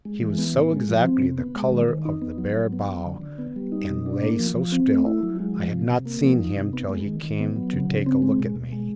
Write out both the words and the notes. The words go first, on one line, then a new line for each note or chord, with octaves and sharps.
He was so exactly the colour of the bare bough, and lay so still, I had not seen him till he came to take a look at me.
G#3
E3
B3
A2
G#3
F3
C4
C3
B3
G#3
D#3
D#3
D#4
B3
F#3
F#3
B3
F#3
D3
D3
B3
G3
D#4
B2
D4
A#3
F3
F3
C4
A3
E4
F#3
G#3
F3
C3
C3
A#3
F3
D#4
C3
B3
G#3
D#3
D#3
B3
F#3
C#3
C#3
C4
G#3
B2
B2
G#3